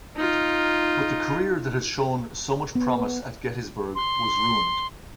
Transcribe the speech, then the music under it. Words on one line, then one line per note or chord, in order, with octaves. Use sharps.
But the career that had shown so much promise at Gettysburg was ruined.
D#4 F4
B3
C6